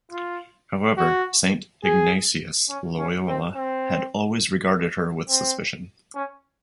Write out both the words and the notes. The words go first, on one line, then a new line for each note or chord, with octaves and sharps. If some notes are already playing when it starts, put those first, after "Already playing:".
However, Saint Ignatius Loyola had always regarded her with suspicion.
F4
F#4
G#4
C#4
C#4
C4
C4
C4
C#4